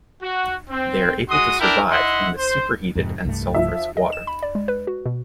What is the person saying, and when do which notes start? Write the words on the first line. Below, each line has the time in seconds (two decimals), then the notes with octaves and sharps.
They are able to survive in the superheated and sulfurous water.
0.22 F#4
0.69 C4
1.29 G#3 F#4 C6 D#6
1.60 B3 D4 E4 A#4 G5
1.90 E4 D#5 E5 F#5 C6
2.36 C5
2.95 F2 G#2 C3
3.25 C2 G2 A3
3.54 F3 E5
3.97 D#5
4.12 E7
4.27 B5
4.43 D5
4.55 G#3
4.68 B4
4.87 F#4
5.06 B2